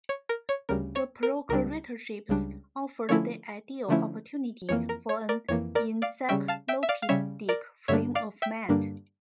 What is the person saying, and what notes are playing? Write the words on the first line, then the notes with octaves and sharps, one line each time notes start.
The procuratorships offered the ideal opportunity for an encyclopedic frame of mind.
C#5
A#4
C#5
D2 C#3 G3 A#4
C#5
A#4
C#2 C#3 G3 D4 A#4
C#2 C#3 G3 D4
D3 F3 A3 C#4 E4 C#5
D3 F3 A3 C#4 E4
F2 E3 A#3 C#5
A#4
C#5
A#4 D5
F2 E3 A#3 C#5
A#4 D5
D5 F5
C#3 G3 C#4 E5 G5
F5 A5
E5 G5
E5
D5 F5
F5
C#3 G3 C#4 C#5 E5
A#4 D5
G2 D3 G3 A#3 D4 C#5 E5
D5 F5
E5 G5
G2 D3 G3 A#3 D4